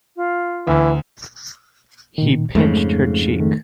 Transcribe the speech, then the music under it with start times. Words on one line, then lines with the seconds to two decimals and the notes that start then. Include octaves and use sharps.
He pinched her cheek.
0.16 F4
0.67 D2 E3
2.18 A#2 D#3
2.55 F2 G#2 C#3 G#3 A3
3.40 D#3 A3